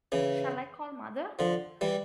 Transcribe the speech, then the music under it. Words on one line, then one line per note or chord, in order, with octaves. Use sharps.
Shall I call mother?
C#3 E3
D3 F3
E3 G3